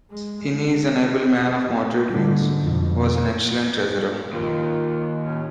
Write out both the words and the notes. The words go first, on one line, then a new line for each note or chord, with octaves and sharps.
Innes, an able man of moderate views, was an excellent treasurer.
G#3
G#2 D3 G3
F2 B2
D#2 F4 A#4
A2 C#4